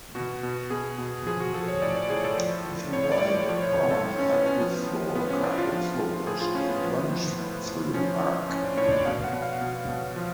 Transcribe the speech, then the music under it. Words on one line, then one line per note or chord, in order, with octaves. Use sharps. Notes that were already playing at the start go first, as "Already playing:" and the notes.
A wide promenade with floral carpet floors runs through the park.
B2 F#4
B2
B2 G#4
B2
F3 G#4
F#4
F3 A4
C#5
A2 D5
D5
A2 G#4
A4
F3
F3
A2 C#5
D5
A2
D5
F3 C#5
C#5
F3 C#5
A4
A2
C#4
A2 B3
C#4
F3 B3
F3
A2 B3
C#4
A2 D4
F4
F3
F3
A2 G#4
F4
A2 C#4
B3
F3
F3
A2
A2
F3 C#4
F3
A2 C#4
D4
A2 C#5
D5
B2 F5
F#5
B2
F5
B2
B2
F3